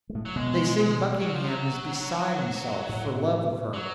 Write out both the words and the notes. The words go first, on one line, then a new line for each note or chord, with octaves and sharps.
They say Buckingham is beside himself for love of her.
G#3
A2 A3
F#3
B2 G#3 B3
F#3
F3
F#3
A2 A3
F#3